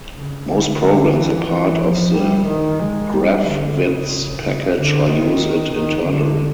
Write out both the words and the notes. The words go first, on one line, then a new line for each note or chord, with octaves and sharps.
Most programs are part of the Graphviz package or use it internally.
C#3
D3
D3
E3
E3
F3
G3
D#3
G#3
G3
D3
C#3
C#3
D3
D#3
D#3
D3